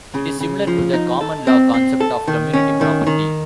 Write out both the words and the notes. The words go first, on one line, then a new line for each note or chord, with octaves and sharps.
It is similar to the common law concept of community property.
C#3
C#3
F3
D#4
A4
C4
C4
A4
D#3
C#4
D#3
D#3